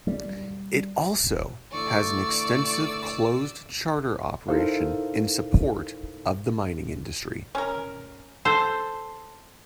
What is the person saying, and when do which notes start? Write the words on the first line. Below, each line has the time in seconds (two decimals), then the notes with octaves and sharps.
It also has an extensive closed charter operation in support of the mining industry.
0.07 G3
1.72 D3 E3 A3 D5 C#6 E6
4.48 D#4 E4 A4 A#4 C5 F5
7.55 C#4 A#4
8.45 A4 C5